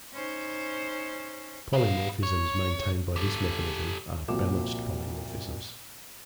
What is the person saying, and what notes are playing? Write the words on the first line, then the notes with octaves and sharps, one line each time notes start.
Polymorphisms maintained by this mechanism are "balanced polymorphisms".
C#4 D#4 C5
B3 F5
C#5
G4 A4
C2 A#2 F3 F#4 D6 E7